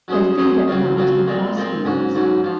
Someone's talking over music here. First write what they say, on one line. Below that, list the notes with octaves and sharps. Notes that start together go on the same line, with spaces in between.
They feed at night in rice fields.
F#3 C#4 G#4 C5
F#3 C#4 G#4 C5
C#3 F#3 C4 F4
C#3 F#3 C4 F4
A#2 G#3 C4
A#2 G#3 C4
G#2 F#3 C#4
G#2 F#3 C#4
F3